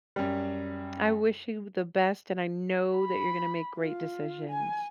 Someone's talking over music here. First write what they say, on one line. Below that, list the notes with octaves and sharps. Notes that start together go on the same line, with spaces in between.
I wish you the best, and I know that you're gonna make great decisions.
F#2 G3
B5
F4
G#5